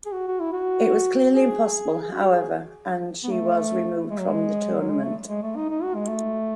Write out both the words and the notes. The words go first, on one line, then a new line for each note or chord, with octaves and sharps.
It was clearly impossible, however, and she was removed from the tournament.
G#4
F#4
F#4
E4
F#4
G#4
G#4
F#4
G#4
B3
A3
G#3
F#3
G#3
F#3
G#3
A3
G#3
A3
D#4
D#4
F#4
G#3
A3